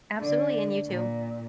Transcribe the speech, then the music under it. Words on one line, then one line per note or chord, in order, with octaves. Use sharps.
Absolutely. And you too.
D3
A#2